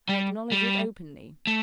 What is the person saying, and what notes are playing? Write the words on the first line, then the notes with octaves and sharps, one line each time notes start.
I acknowledge it openly.
G3
G3
A3